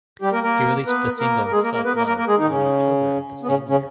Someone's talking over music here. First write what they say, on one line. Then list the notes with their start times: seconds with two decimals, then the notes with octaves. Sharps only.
He released the single "Self Love" on October of the same year.
0.22 G3 G4
0.33 A#3 A#4
0.43 A#3 A#4
0.87 B3 B4
1.19 A#3 A#4
1.46 A#4
1.52 G#3 G#4
1.63 A#3 A#4
1.73 A#3 A#4
1.85 B3 B4
1.96 A#3 A#4
2.07 A#3 A#4
2.17 A#3 A#4
2.27 G#3 G#4
2.39 D#3 D#4
2.50 C#3 C#4
3.43 B3
3.47 C#3 C#4
3.68 C#3 C#4